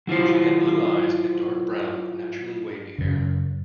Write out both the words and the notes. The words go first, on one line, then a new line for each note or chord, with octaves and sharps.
She had blue eyes and dark brown, naturally wavy hair.
F#3 E4 F4 C5
F#2 C#3